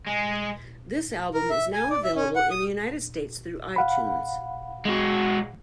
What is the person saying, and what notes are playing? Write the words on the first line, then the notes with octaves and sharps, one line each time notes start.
This album is now available in the United States through iTunes.
G#3
A#4
E5
G#5
D5
E5
C#4
F#5
D#6
F5 F#5 B5
G#3 F#4